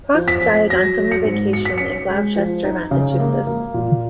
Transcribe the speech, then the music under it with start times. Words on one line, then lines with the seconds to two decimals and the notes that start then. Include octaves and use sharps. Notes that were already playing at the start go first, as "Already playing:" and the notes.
Cox died on summer vacation at Gloucester, Massachusetts.
0.15 F3
0.28 B6
0.42 F2
0.69 F#3 A#6
0.98 F#3
1.11 C#7
1.25 G#2
1.53 B2 C#7
1.65 B6
1.78 C#4 C#7
2.09 G#3
2.36 F3
2.64 D#4
2.91 C#3
3.20 A#3
3.47 A#3
3.74 A#2